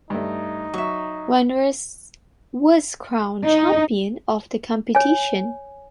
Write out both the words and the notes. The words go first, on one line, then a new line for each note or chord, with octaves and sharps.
Wanderers was crowned champion of the competition.
G2 A3 D#4
F#3 E5 C#6
D#4
C#5 G#5